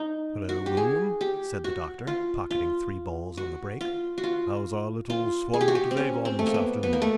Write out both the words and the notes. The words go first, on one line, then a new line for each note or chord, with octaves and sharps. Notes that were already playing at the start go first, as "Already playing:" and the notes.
"Hullo, William," said the Doctor, pocketing three balls on the break. "How's our little Swanlet of Avon this afternoon?"
Already playing: D#4
F#4
G4
G#4
G4
F#4
F4
F4
F#4
F4
F#4
F4
F4
G#4
G4
F#4
G4
C4
C#4
C4
A3
A#3
B3
B3
A#3
A3